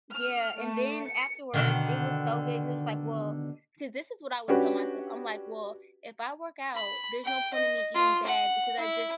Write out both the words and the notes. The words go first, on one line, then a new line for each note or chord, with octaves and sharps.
Yeah, and then afterwards, it was so good, 'cause it was like, "Well," 'cause this is what I would tell myself. I'm like, "Well, if I work out, there's no point in me eating bad, because I just,
F6
A3
C#7
B2 D3 D#3
C#4 D4 F#4 G4 B4
B5
G5
D#5
F4
F#5
E4